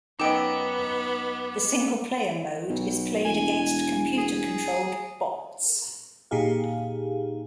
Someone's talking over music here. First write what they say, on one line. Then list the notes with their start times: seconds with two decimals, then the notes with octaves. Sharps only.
The single-player mode is played against computer-controlled bots.
0.20 F#2 B3 D#4 D#5 G5 D6
2.69 B1
3.25 E1 G#5
4.18 G#4
6.31 A#2 D#4 G4 G#4 F5